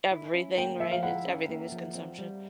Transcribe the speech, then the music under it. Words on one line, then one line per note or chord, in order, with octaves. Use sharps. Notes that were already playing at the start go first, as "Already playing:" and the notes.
everything, right? It's everything is consumption.
E4
C#4
A#3 G5
F3 E5
F5
E4 F#5
C#4
A#3
F3
C4
G3